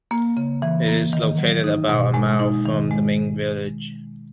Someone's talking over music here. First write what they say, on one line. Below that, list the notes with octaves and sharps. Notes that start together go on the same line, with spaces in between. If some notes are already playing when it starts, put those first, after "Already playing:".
It is located about a mile from the main village.
A#3
C#3
E3
A#3
D#3
F#3
D#4
B2
G#3
D#4
D#3
G#3